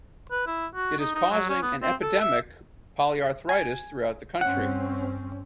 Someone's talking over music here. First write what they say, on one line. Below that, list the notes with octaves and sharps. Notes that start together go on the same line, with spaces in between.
It is causing an epidemic polyarthritis throughout the country.
B4
E4
F#4
D#4
D#4
F#3
C#4
B3
C4
A4
E5
G#5
G2 C4 C#4 F#5